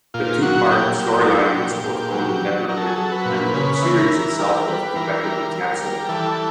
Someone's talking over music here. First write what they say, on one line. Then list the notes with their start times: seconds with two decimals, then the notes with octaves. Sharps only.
The two-part storyline was postponed indefinitely and the series itself was effectively cancelled.
0.14 A#2 F4
0.42 F#3 F#4
0.70 A#2 G4
0.99 F#3
1.28 F#3
1.56 A#2
1.84 A#2
2.12 F#3
2.41 F#3
2.69 F#3 A#4
2.77 A4
2.86 G#4
2.96 F#3 A4
3.12 B4
3.25 A#2
3.54 C#3 B4
3.83 E3
3.97 A#4
4.10 E3
4.39 G3 A#4
4.61 A#4
4.67 G3 B4
4.96 E3 A#4
5.24 G3
5.52 G3
5.81 G3
6.09 E3 A4